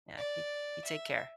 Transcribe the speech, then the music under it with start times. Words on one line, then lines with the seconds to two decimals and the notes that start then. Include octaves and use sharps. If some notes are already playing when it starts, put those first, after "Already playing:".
Yeah. You you take care.
0.17 D5
0.84 E5